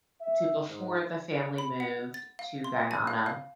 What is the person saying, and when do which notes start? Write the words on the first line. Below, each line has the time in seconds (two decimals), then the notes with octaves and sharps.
to before the family moved to Guyana,
0.21 E5
0.69 G#2
1.58 B5
1.80 F#5
2.14 A6
2.39 F5
2.64 C6
2.91 G#5
3.07 F5
3.26 F5